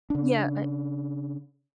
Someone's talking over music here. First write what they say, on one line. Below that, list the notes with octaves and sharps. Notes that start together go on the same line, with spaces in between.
Yeah, but
C#3 D4